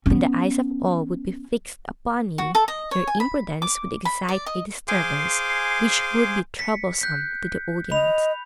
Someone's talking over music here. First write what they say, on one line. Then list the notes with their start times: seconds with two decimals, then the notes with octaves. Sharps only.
Then the eyes of all would be fixed upon you; your imprudence would excite a disturbance, which would be troublesome to the audience.
0.06 B3 C#4
2.38 F#4
2.55 A4
2.68 D#5
2.91 C#5
3.07 G#5
3.20 B5
3.62 D6
4.05 B5
4.28 D5
4.46 D#5
4.88 G#4 C5 F5 G#5 C6 D6
6.59 B6 C#7
7.01 F#6 G6 B6
7.92 D#5 B5 F7